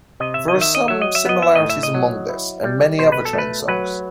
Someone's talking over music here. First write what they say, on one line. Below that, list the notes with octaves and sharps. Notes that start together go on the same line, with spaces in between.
There are some similarities among this, and many other train songs.
C3 D#5
E5
D#5
D#3
E5
D#5
F#3 E5
D#5
E5
B3 D#5
E5
A2 D#5
E5
D#5
F#3
E4
G3
B2 C5
B4
A4
A3
B4
F#3 B4